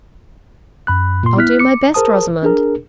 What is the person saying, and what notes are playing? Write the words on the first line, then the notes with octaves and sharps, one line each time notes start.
'I'll do my best, Rosamond.
F#2 B5 F#6
A#2 C6
B3 E4 F6 F#6 B6
D6 C#7
G#4 A#4 C5 A5 D#6
D4 G#4 A#4